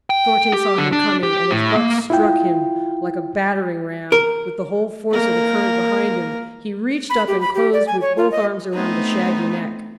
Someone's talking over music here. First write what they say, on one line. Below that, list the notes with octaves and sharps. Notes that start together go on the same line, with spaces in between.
Thornton saw him coming, and, as Buck struck him like a battering ram, with the whole force of the current behind him, he reached up and closed with both arms around the shaggy neck.
G5
G4
D3
D4
G4
A2
A#3
E4 F4 G5
A#4
A#3 A#4
B5
G4
B5
G4
D5
G#5
C#5
F4
D#5
A3 B3 C4 D#4